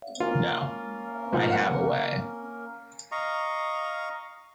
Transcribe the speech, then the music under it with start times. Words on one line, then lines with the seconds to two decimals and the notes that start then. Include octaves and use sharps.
No... I have a way...
0.20 A#3 C#4 F4 A#4
1.32 B2 F3 D#4
1.52 F#5
3.12 D#5 F5 A#5 C#6